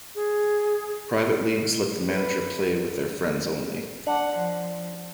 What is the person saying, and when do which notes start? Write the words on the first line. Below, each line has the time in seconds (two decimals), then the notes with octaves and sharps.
Private leagues let the manager play with their friends only.
0.15 G#4
2.06 B4
4.07 D4 F#5
4.36 F3